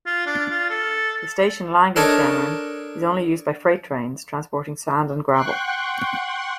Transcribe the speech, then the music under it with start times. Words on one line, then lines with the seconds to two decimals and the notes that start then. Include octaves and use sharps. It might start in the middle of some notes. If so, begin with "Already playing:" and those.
The station Langenschemmern is only used by freight trains, transporting sand and gravel.
0.06 F4
0.26 D4
0.51 F4
0.70 A4
1.96 D4 A4 A#4 C#5 D#5
5.30 F#5 G5 C6 C#6 F#6